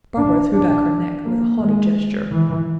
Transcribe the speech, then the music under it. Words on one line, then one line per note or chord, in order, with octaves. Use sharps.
Barbara threw back her neck with a haughty gesture.
D4
D4
A#3
G#3
E3